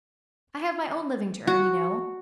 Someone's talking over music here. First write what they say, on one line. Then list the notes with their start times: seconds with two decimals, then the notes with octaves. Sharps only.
I have my own living to earn, you know.
1.47 F#4